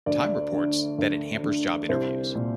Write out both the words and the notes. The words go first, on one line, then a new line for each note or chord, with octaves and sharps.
"Time" reports that it hampers job interviews.
D2 D5
D3
D2
D3
C2 C5
A#2